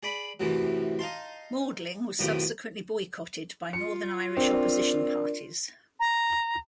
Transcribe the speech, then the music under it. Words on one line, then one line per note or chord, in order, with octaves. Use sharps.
Maudling was subsequently boycotted by Northern Irish opposition parties.
G#4 D5 B5
F#2 A2 C3 E3
D#4 F5 A5 C6
B1 F2 A2 D#3 G4 D#6
F4 C#7
C4 D4 A#4 D5
A#5